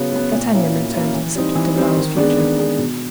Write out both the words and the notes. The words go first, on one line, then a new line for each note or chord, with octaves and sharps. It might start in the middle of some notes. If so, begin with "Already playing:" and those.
D'Artagnan returned to the subject of Raoul's future.
Already playing: C#3 F#3 B3
F#3 B3
A#2
F#3 A#3 C#4 E4
A#2
F#3 A#3 C#4 E4
E3
G3 C4 D#4
E3
G3 C4 D#4
D#3
G#3 B3 D4
D#3
G#3 B3 D4
B2